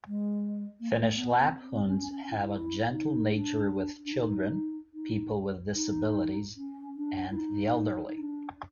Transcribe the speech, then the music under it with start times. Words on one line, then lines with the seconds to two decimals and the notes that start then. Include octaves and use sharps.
Finnish Lapphunds have a gentle nature with children, people with disabilities, and the elderly.
0.07 G#3
0.80 A#3
0.88 A3
1.16 B3
1.42 C4
1.69 C4
1.84 C4
1.90 C#4
2.09 C#4
2.30 E4
2.50 E4
2.91 D#4
3.32 D4
4.05 D4
4.12 D#4
4.94 D#4
5.75 D#4
6.56 C#4
6.96 D4
7.31 E4
7.36 D#4
8.08 D#4
8.18 D4